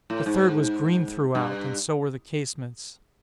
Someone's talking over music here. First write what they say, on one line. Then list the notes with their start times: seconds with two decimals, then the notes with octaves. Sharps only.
The third was green throughout, and so were the casements.
0.10 A2
0.26 G#2
1.35 G2